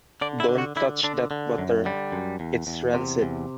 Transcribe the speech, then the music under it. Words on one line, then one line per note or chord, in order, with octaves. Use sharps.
Don't touch that butter. It's rancid!
D3 D5
E4
D3
F#4
D3 E4
D3 D4
D3
F#2
D3 G3
F#2
E2
E2
C3
E2